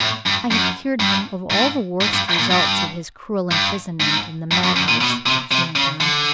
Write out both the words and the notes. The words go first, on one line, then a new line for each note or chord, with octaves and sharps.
"I have cured him of all the worst results of his cruel imprisonment in the mad-house," she went on.
A2
G2
F#2
G2
G#2
G#2
G2
A#2
G2
G2
G#2
G2
F#2
F#2
A#2
B2
C3
C3
C#3
D3